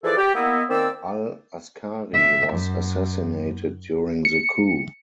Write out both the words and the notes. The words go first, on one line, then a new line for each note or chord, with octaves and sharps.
Al-Askari was assassinated during the coup.
E3 F3 G#4 A4 B4 D5
G4
A#3 B3 E4 D#5
D#3 A#3 C4 C5 D5 E6
E5
F#2
C#7